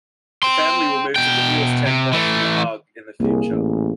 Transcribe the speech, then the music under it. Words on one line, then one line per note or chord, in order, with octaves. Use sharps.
The family will move to Huis ten Bosch in The Hague in the future.
G5 C6
B2 G5
C3
E3 A3
C2 A#3 G#4
A1